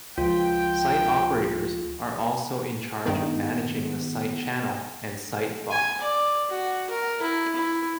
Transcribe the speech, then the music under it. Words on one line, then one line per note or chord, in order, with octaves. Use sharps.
Site operators are also in charge of managing the site channel, and sitebot.
C#2 F3 F4 G5
G2 D#3 B3
G#5
D5
F#4
A#4
E4
E4